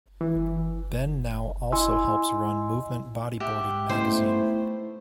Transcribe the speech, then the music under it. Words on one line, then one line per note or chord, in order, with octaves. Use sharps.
Ben now also helps run "Movement Bodyboarding" magazine.
E3
E4 D#5 G#5 C6 E6
G4 E5 F#5
A3 B3 C#4 D#4 E4 C5